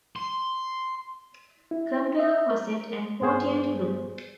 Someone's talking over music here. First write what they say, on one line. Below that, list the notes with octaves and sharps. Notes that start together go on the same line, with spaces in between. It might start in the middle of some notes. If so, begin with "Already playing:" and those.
Compare coset and quotient group.
C6
E4
E5
A#4
G2 B3 G#4 C5